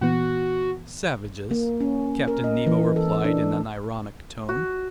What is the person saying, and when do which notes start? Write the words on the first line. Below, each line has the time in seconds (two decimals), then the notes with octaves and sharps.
"Savages!" Captain Nemo replied in an ironic tone.
0.01 A#2 E3 B3 F#4
1.51 A#3
1.81 C#4
2.28 A#4
2.44 D#5
2.67 E3
2.96 A4
3.25 D4
4.49 F#4